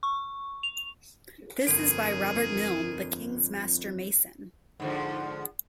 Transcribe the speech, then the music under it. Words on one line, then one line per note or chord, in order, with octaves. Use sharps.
This is by Robert Mylne the King's Master Mason.
C#6
F7
G1 F2 G#4 A#4 D7
G#2 D3 F3